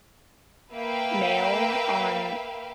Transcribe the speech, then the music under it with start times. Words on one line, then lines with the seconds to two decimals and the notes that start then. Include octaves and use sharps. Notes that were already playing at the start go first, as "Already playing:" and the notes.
male on
0.72 A#3 B4 E5 F5 G5